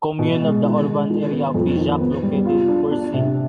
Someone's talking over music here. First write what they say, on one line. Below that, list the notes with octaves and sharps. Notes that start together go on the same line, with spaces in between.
Commune of the urban area of Figeac located in Quercy.
B2
G#3
D#3
G#3
D#3
B3
F2
D#3
B3
G3
F4
D4
D4
C3